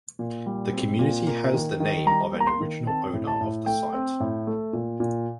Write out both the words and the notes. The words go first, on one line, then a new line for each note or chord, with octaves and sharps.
The community has the name of an original owner of the site.
A#2
G3
C4
A#2
A#3
D#3
D#3
G3 A#5
A#3
A#5
C6
D#3
C4 A5
A2
A5
A2
A3 G5
C4
A2
A3
A#2
A#2